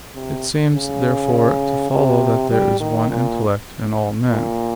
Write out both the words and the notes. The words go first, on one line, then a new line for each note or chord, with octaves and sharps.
It seems, therefore, to follow that there is one intellect in all men.
C3
C#3
C3
G3
D#3
A#2
A#2